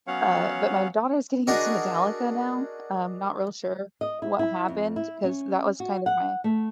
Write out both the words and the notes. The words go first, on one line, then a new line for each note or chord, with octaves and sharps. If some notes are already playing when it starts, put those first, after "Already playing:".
uh but my daughter's getting into Metallica now. I'm not real sure what happened 'cause that was kind of my
F#3 B3 C#4 C#5 F5 F#5
D4 F#4 G#4 A#4 D#5
D#5
E4
E4
F2
E4
C#4
F#4
F#5
A3